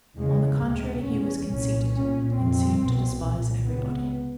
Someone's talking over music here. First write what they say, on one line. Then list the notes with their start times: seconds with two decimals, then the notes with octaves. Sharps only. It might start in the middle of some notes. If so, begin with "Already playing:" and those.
On the contrary, he was conceited and seemed to despise everybody.
0.16 E2 C#3 G#3
0.60 D2 C3 G#3
1.03 E2 B2 C#4
1.48 C2 A#2 C#4
1.91 C2 A#2 C#4
2.35 F2 C3 C4
2.79 C2 B2
3.23 C2 A#2
3.66 C#2 C3 B3